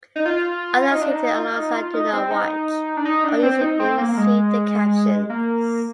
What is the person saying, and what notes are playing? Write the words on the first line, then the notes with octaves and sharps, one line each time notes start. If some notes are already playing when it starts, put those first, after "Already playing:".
Others seated alongside do not watch, or usually even see, the captions.
D#4
F4
F4
D#4
D4
D#4
F4
D#4
F4
D#4
C4
D#4
D4
D#4
D4
C4
D#4
C4
A#3
A#3
G#3
A#3